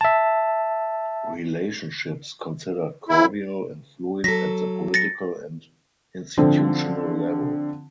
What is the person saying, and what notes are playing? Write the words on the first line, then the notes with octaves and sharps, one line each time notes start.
Relationships considered cordial and fluid at the political and institutional level.
E5 A5
E4
F#3 A4 A#6 B6
A6 A#6 C#7
D3 F3 C4